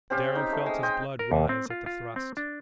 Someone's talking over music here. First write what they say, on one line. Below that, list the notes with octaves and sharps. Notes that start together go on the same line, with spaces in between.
Darrow felt his blood rise at the thrust.
C4 C#4 G4 F5
D#4
A3
G#3
D#5 G5 C6
A#4
D#2
C4
F4
F4
C4
D4